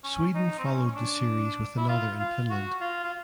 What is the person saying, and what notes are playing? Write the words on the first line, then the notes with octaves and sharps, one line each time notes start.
Sweden followed the series with another in Finland.
C#4
D#4
C4
C#4
C#4
D4
E4
F4
F4
F#4
F4
F4